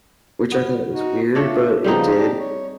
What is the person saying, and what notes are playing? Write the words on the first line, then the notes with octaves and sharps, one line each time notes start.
which I thought was weird, but it did.
B3
D#4 F#4
A3 D4 F4 A4 C#5
C#3 F3 G3 B3 C4 D#4
D4 G4
C#5